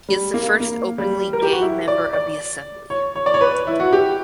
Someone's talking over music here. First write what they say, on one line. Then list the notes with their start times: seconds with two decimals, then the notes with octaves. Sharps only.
He is the first openly gay member of the Assembly.
0.09 G3
0.34 A#3
0.60 A#3
0.98 G3
1.33 A#4
1.42 G4
1.52 F#4
1.62 E4
1.88 D5
2.13 D5
2.90 C#5
3.16 C#5
3.26 D5
3.34 C#5
3.41 B4
3.67 E4
3.80 F#4
3.93 G4